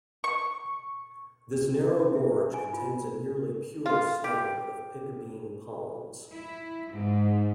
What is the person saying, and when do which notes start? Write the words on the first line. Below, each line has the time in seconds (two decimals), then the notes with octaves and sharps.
This narrow gorge contains a nearly pure stand of Piccabeen Palms.
0.24 C#6
2.15 E5
2.54 G#5
2.73 F4
3.86 F4
4.24 G4
6.30 E4
6.91 G#2